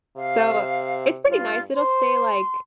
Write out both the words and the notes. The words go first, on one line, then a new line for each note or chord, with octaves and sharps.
so, it's pretty nice. It'll stay, like
C3 F5
G2 F4
C5 C6